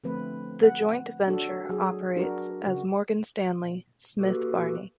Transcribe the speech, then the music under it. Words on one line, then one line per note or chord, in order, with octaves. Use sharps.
The joint venture operates as Morgan Stanley Smith Barney.
D3 F3 A3 C4 B4
F#5
D4 F#4 A4 C#5
F#3 G#4
D4 F#4 A#4
C#3 F#4
A#3 F#4 G4 A4 B4